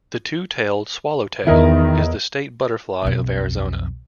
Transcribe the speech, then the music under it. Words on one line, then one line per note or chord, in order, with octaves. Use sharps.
The two-tailed swallowtail is the state butterfly of Arizona.
E2 D#3 E4 A#4 D#5
B1 F2